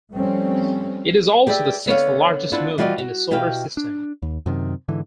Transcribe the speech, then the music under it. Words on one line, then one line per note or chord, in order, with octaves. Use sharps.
It is also the sixth-largest moon in the Solar System.
F3 G3 A3 C4 C#4
G4 G#4 B4 D5 E5
D3 B3 C#5 F5
B3 D4 E4 F4 C5
E3 G3 F4 F#4 D5 D#5
F#4
B2 E4 G4 F5 G5
D4
D#2
F#2 C3 D#3
G#2 D3 E3